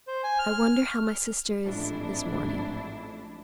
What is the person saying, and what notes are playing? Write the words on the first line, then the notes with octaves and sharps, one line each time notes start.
'I wonder how my sister is this morning.'
C5
G#5
F6
A1 F2 G#2 D4 E4